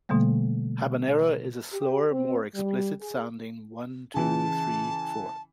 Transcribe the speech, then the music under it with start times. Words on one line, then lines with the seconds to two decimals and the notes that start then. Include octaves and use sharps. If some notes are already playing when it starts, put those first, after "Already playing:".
Habanera is a slower, more explicit sounding "one", two, "three"-four.
0.09 B2 D3 G3 A3 A#3
1.73 G4
2.11 C4
2.55 G3
3.01 G#4
4.14 C#3 E3 A5